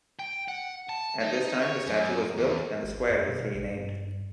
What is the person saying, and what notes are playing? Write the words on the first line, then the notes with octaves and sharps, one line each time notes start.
At this time the statue was built, and the square was renamed.
G5
F#5
A5
D#4
C#5
F#2
E2
G#1
F#2
B2
A1
G2